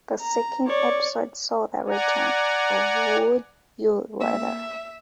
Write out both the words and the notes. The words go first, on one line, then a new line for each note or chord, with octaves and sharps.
The second episode saw the return of Would You Rather?
A#5
C#5 D5
D5 F#5 G#5 A#5
A#3 E5